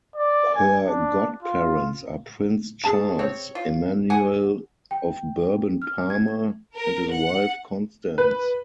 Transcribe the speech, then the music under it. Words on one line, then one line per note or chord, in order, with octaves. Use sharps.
Her godparents are Prince Charles-Emmanuel of Bourbon-Parma and his wife Constance.
D5
G#5
D4
F4
G#4 A5
C4 C#5
F4
F#5 G#5
G5
F6
G#6
A#4
F#5
B4